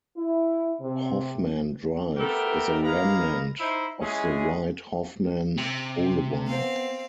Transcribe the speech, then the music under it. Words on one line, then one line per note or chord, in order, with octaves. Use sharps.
Hoffman Drive is a remnant of the wide Hoffman Boulevard.
E4
C3
A3 B3 G4 A4 A#4
G#3 A#3 B3 B4 F5 A#5
D#4 E4 C5
E3 G#3 C#4 G#4
C3
B3 C4 F5